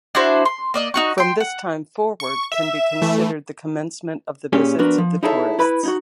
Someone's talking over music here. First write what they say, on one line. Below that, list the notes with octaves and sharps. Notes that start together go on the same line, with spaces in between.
From this time forward can be considered the commencement of the visits of tourists.
D4 E4 F#4 C5
C6
A#3 D5 D#5
D#4 F#4 C#6
G5 C6
F#5
C#6
E5
E3 A3
A#2 C#4 G4 G#4
F3 B3 D4 F#4 A#4 B4
F3
D#4 E4 G#4 A4 C#5 E5
E4 B4 B5
D#4 E4 F#4